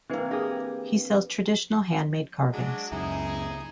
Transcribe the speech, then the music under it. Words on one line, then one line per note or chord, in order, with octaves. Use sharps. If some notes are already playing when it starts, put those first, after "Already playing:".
He sells traditional handmade carvings.
E3 A#3 C4 D4 B4
G4 G#4 A#4
F#3 G#3 D4
C#2 F#2 D#4 E4 G#4